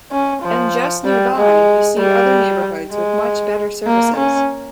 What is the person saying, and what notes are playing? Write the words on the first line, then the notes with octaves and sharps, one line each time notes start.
And just nearby, you see other neighbourhoods with much better services.
C#4
F3
G3
G#3
G3
G#3
A#3
C#4